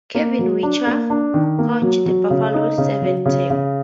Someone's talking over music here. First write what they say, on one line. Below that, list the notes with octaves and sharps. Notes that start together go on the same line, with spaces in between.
Kevin Whitcher coaches the Buffaloes sevens team.
A#3
F#3
D4
A#3
D4
D#3
A#3
F#3
F#3
C#3
D#4
C#3
F#3
C#3
C#3